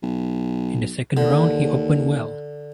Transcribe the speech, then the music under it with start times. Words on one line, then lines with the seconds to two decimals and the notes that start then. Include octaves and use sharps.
In the second round he opened well.
0.03 B1
1.17 D#2 D3